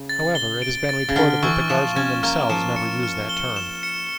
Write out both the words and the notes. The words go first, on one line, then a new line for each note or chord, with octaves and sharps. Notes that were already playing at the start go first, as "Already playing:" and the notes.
However, it has been reported that the guardsmen themselves never use that term.
Already playing: C#3
A6
G7
D7
A6
C#3
D3 F6
E3 C#6
F3 E7
C#4 A6
A#3 F6
F3 E7
C#7
F6
G7
E7
C#7